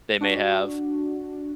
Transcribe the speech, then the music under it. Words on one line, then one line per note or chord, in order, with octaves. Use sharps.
they may have,
D4 F#4